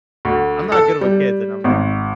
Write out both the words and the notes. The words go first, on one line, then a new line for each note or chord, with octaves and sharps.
I'm not good with kids," and I'm like
D2
A4
G3
G#1